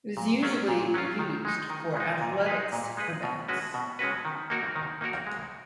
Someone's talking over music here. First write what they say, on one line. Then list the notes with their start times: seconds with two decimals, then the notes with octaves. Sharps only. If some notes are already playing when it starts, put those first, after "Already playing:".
It is usually used for athletics events.
0.17 A#2
0.43 F#3 C#4 F4
0.68 A#2
0.94 F#3 C#4 F4
1.19 D#3
1.45 G#3 D#4
1.70 D#3
1.96 G#3 D#4
2.21 A#2
2.46 G#3 D#4 G#4 B4
2.72 A#2
2.97 G#3 D#4 G#4 B4
3.23 B2
3.48 G#3 C#4 F#4 B4
3.74 B2
3.99 G#3 C#4 F#4 B4
4.25 D#3
4.50 A#3 D#4 F#4 A#4
4.76 D#3
5.01 A#3 D#4 F#4 A#4
5.27 G#3